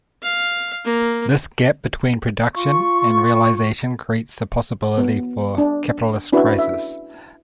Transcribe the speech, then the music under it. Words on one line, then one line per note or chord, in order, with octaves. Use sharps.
This gap between production and realization creates the possibility for capitalist crisis.
F5
A#3
F4 C#6
B3
D4
C#4 D4 E4 F#4 B4
E5